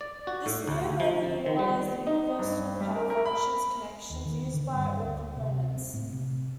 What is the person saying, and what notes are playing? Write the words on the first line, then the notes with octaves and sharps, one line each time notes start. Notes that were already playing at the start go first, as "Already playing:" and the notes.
This new motor utilized the universal Power Functions connections, used by all components.
D5
F#4
A2
D2
F3
D#3
G3
D#4
G2
G3
A#4
A#4
B5
D#2
D#3
D3
G2
D2
C3
C4
A2
C3